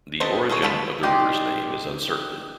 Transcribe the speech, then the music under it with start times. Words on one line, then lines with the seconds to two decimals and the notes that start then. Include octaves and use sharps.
The origin of the river's name is uncertain.
0.20 B3 C4 A4 C5 D#5
0.49 G#4 A4 C5 C#5
0.62 G#3 F4 A4 A5 B5
1.03 D#4 G4 D5 C6